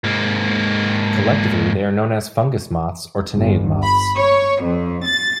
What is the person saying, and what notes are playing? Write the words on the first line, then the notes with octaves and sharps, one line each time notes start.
Collectively, they are known as fungus moths or tineid moths.
G#2 A#3
G1
B5
C#5
F2
A6